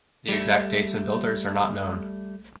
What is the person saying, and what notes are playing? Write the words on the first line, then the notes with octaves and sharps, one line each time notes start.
The exact dates and builders are not known.
G3 A3